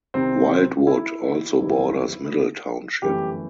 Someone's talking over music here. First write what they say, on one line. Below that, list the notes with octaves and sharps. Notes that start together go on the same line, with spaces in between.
Wildwood also borders Middle Township.
C2 C3 D#3 C4
E4
F#1 E2 D#3 G3
G1 F#2 E3 A3 G4